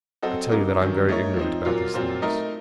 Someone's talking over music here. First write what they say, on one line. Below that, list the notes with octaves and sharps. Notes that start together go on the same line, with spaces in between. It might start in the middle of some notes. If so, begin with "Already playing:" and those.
"I tell you that I am very ignorant about these things."
F#3 C4 F#4 A4 D#5
C#3 F#3 A#3 D#4
F#2 D#3 F#3
A3 D#4 A#4 C#5
F3 C4 D#4
A#2 F#3 A#3 F4
A#2 F#3 C4 F4
A3 D#4 A#4 D#5